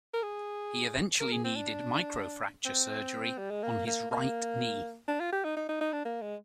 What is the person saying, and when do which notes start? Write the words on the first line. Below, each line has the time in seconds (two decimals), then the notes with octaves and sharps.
He eventually needed microfracture surgery on his right knee.
0.14 A#4
0.23 G#4
1.20 A#4
1.32 G#4
1.44 C4
1.56 D4
2.65 C4
3.38 G3
3.51 G#3
3.63 A#3
3.87 A#3
4.11 A#3
5.08 D4
5.20 F4
5.33 G4
5.45 D#4
5.57 D#4
5.69 D#4
5.81 D#4
5.93 D4
6.05 A#3
6.21 G#3